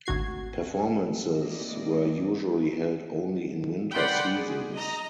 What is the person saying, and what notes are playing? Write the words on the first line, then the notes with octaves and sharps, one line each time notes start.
Performances were usually held only in winter seasons.
G#1 D2 F#4 G#6 C7
G#3 A#3 C4 E4 D5 D#5
D5 F#5 G5 B5 C6
G#4
D#5 A#5